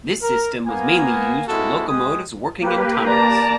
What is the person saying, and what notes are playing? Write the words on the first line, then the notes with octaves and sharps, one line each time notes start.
This system was mainly used for locomotives working in tunnels.
A#4
A#3 B3 G#5
G#3 A#3 C4 E4 F#4 A4
G#3 G4 G#5 D#6
A#3 G4 B4
A#3 D5 A5 A#5